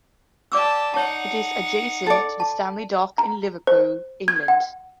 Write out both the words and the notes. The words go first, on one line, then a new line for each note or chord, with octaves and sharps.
It is adjacent to the Stanley Dock, in Liverpool, England.
G4 D5 A5 D6 E6
D#4 C#5 F#5 A5
A4 D5
A5
A#5
C5
G#6
F#5